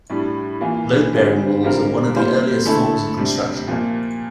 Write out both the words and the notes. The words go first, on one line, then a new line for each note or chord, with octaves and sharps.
Load-bearing walls are one of the earliest forms of construction.
A2 G3 D4
E3 A#3 F4
D3 G3 C4 F4
D3 G3 C4 F4 A#4
G3 A#3 F4 C5
D3 A3 E4 A4
C3 G3 D4
A#2 F3 A#3